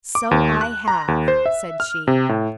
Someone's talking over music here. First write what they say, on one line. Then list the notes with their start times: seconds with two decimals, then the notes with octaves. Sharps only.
"So I have," said she.
0.15 D6
0.31 D#2
0.61 F#6
0.88 A#5
1.08 D#2
1.28 C5
1.46 E5
1.80 F6
2.07 C3
2.29 A2